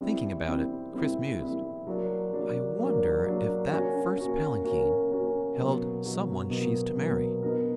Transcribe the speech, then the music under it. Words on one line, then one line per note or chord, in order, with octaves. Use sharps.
Thinking about it Chris mused: I wonder if that first palanquin held someone she's to marry?
G3 C4 E4
G3 C4 E4
G3 C4 E4
G3 C4 E4
F#3 A#3 D4
F#3 A#3 D4
F#3 A#3 D4
F#3 A#3 D4
A#3 C#4 F#4
A#3 C#4 F#4
A#3 C#4 F#4
A#3 C#4 F#4
B2 F#3 A#3
B2 F#3 A#3
B2 F#3 A#3
B2 F#3 A#3
B3 D#4 F#4 A#4